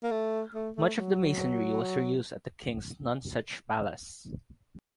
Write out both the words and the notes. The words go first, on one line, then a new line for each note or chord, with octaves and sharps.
Much of the masonry was reused at the king's Nonsuch Palace.
A#3
A3
A3
A3
F#3